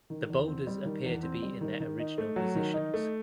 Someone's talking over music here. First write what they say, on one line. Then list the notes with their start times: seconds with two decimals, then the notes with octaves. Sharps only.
The boulders appear to be in their original positions.
0.10 D#3
0.30 E2
0.48 C4
0.67 G3
0.85 D#3
1.05 E2
1.23 C4
1.43 G3
1.61 D#3
1.80 D#3
1.99 D#4
2.18 A3
2.36 F#3
2.56 D#3
2.74 D#4
2.94 A3